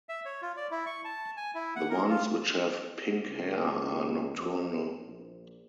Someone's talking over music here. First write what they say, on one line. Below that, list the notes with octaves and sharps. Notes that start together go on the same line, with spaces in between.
The ones which have pink hair are nocturnal.
E5
C#5
F4
D5
E4
C#6
A5
G#5
E4
F#5
A#4
F4
C#2
F2
A#1